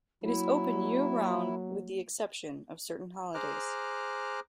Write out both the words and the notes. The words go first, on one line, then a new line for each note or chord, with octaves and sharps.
It is open year-round with the exception of certain holidays.
F#3 A#3 E4
G#4 C5 A#5 D6 F6 F#6